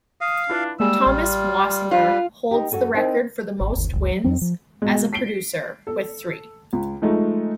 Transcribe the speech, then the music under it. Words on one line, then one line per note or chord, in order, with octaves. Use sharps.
Thomas Wasinger holds the record for the most wins as a producer, with three.
F5 D#6
D4 E4 F4 B4
G3 G#3 A#3 G#4 E6
A1 F4
F4 B4
D#4 G4
F#2 C#3 F#4 A4 G#5
C4 D#4 E4 A#4 C5
G#1
G1 D#2
F#1 C#2
F#3
F2 F#3 C4
F3
B1 G#3
B6 C7 D7 G7
A4
C#2
F3 G#3 A3 D#4